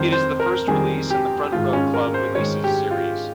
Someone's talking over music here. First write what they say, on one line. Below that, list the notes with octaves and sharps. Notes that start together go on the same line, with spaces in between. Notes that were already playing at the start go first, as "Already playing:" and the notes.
It is the first release in the Front Row Club Releases series.
Already playing: F2 D#3 G3 C5
C5
A#4
F2 D#3 G3 G#4
G4
G#2 D#3 G#3 F4
C#4
A#4
C5
G#2 D#3 G#3 C#5
G4
F4